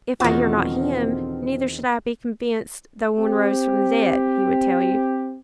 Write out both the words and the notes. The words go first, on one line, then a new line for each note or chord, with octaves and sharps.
If I hear not him, neither should I be convinced though one rose from the dead, he would tell you.
E2 B2 D3 D#3 F3 C4 F#4
C4 G4